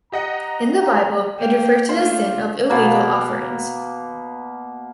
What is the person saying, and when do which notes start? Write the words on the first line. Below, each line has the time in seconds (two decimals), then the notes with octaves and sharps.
In the Bible it refers to the sin of illegal offerings.
0.12 G4 D#5 F#5 A#5
1.38 A#3 G5
1.89 A3 D4 F4 C5
2.70 B2 A#3